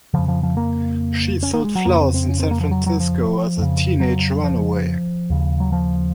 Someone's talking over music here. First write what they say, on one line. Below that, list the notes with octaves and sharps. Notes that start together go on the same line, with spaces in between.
She sold flowers in San Francisco as a teenage runaway.
F2 C#3 F3
F3
F3
A#3
C#4
A#3
G#3
F#3
F2 C#3 A#3
C4
C4
C#4
C4
A#3
F3
F#3
F#3
F3
F2 C#3
F#3
F3
D#2 C#3
F#3
F3